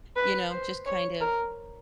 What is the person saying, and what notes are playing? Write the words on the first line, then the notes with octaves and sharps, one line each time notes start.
you know, just kind of
B4
C5
C#5
A#4